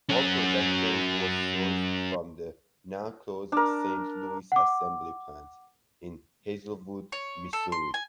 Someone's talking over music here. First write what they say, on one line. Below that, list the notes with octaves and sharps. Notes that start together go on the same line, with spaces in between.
All production was sourced from the now-closed Saint Louis Assembly Plant in Hazelwood, Missouri.
F#3 C#4
D4 A#4
F#5 D6
C#5
A4
C6
G#5